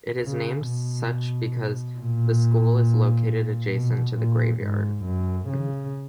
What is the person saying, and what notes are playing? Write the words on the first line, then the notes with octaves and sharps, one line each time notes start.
It is named such because the school is located adjacent to a graveyard.
C#3
B2
A#2
B2
A#2
G#2
F#2
C#3